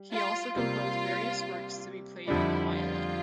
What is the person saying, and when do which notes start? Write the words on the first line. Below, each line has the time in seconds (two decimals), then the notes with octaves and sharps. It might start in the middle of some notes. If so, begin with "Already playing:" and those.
He also composed various works to be played on the violin.
Already playing: G3
0.12 F4
0.56 C3 G3 A#3 F4
2.28 F2 D3 G3 D4 E4
2.71 F4